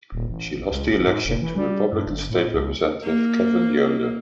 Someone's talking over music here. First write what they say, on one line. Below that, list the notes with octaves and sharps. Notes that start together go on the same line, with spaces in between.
She lost the election to Republican State Representative Kevin Yoder.
D#1
A1
C#2
G#1
G#2
F1
E3
G3
G2
G1
A2
C#2
A#3